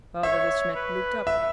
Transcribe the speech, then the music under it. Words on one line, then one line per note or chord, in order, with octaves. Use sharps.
Father De Smet looked up.
C#5 E5
B4
E5